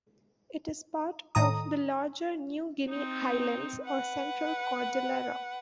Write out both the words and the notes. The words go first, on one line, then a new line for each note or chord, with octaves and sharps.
It is part of the larger New Guinea Highlands or Central Cordillera.
A2 D#3 A#5 D#6
C4 D#4
B4 F#5